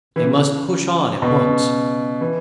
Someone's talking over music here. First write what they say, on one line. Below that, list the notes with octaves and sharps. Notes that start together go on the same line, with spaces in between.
They must push on at once.
E3
C#3
B2
C#3
E3